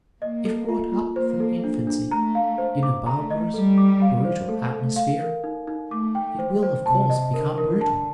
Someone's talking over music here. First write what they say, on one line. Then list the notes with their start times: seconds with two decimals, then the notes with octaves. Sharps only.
If brought up from infancy in a barbarous, brutal atmosphere, it will, of course, become brutal.
0.22 A#3 D#5
0.45 A4
0.69 F4
0.92 F4
1.16 A#3 C5
1.40 A4
1.64 D4
1.87 D4
2.11 A3 A#5
2.35 F5
2.58 C5
2.83 D6
3.06 A3 A#5
3.30 D#5
3.54 G3 A4
3.78 D6
4.02 F5
4.25 C5
4.48 A3 A4
4.73 A4
4.96 F5
5.20 A#4
5.44 D#4
5.67 D#4
5.90 A3 D6
6.15 G5
6.39 C5
6.63 C5
6.86 C3 A5
7.10 D#5
7.34 D3 A#4
7.58 A#4
7.81 D3 A5